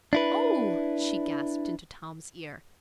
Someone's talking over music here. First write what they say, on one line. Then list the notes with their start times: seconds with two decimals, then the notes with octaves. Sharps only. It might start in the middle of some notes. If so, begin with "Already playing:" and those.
"Oh!" she gasped into Tom's ear.
0.13 D4 E4 B4